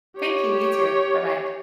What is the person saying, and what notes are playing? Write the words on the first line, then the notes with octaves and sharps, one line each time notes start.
Thank you, you too. Bye-bye.
G4 C#5